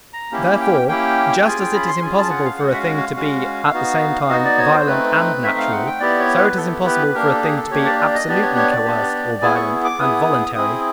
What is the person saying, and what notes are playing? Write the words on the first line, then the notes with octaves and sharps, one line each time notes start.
Therefore, just as it is impossible for a thing to be at the same time violent and natural, so it is impossible for a thing to be absolutely coerced or violent, and voluntary.
A#5
A#3 C#4 E4 G4
G5
A#3 C#4 E4 G4 G5
C#4 F4 G#4 G#5
G5
B5
C6
C#4 F4 G#4 G#5
A5
F#5
F5
G#3 C#4 F#4 F#5
E5
F5
F5
G#3 C#4 F#4 F5
B3 D#4 F#4
B3 D#4 F#4 D#5
D5
C#5
C5
A3 C4 D#4 B4
A3 C4 D#4 E5
F5
F#5
G5
B3 E4 G4 D5
C#5
B4
B3 E4 G4 A4
B4
A#3 D4 G4 A#4
A4
G#4
A4
A#3 D4 G4 C#5
D5
D5
D#5
B3 D4 G4 D5
C#5
C#5
D5
B3 D4 G4
B3 E4 G#4 G#5
C#6
D6
B3 E4 G#4 D#6
C4 E4 G#4 D#6